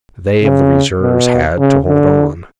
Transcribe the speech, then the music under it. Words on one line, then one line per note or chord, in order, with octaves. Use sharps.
They of the reserves had to hold on.
C#3
B2
C#3
D3